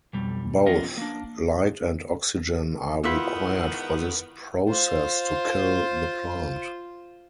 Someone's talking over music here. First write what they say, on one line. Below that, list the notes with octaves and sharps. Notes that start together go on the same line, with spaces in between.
Both light and oxygen are required for this process to kill the plant.
B1 F2 G3
F3 B3 C#4 F4 A#4 D#5
A#3 D4
G#2 D#3 B3 E4 F4 B4
F4 C5